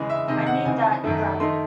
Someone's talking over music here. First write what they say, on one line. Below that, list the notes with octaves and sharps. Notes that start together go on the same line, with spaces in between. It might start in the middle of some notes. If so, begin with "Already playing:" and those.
I need that Grammy.
Already playing: C#3 E3 G#3 G#5
E5
C3 D#3 G#3 D#5
F#5
C#3 E3 C4 D#4 G#5
F#2 D#3 A3 D#4
D#3 A3 D#4 C6